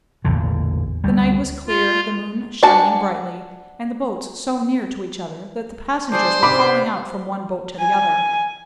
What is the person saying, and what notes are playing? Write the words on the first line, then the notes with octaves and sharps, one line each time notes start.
The night was clear, the moon shining brightly, and the boats so near to each other that the passengers were calling out from one boat to the other.
A1 E2 A#2 D3
D2 G3
F4
D4 F#4 G#5 A5
D4 G#4 C5 D5
C3 B5 D6
G#5